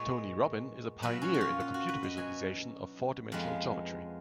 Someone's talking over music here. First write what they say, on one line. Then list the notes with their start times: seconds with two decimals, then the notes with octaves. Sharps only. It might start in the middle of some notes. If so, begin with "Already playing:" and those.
Tony Robbin is a pioneer in the computer visualization of four-dimensional geometry.
Already playing: A#2 G#3 B3 C#5
1.02 A#2 F#3 B3 B4
1.22 C#4
1.34 F#4
1.41 F4
1.60 F4
1.74 F#4
1.89 B4
2.03 D#5
2.17 B2 F#3 B3 G#5
3.32 F2 F3 G#3 B3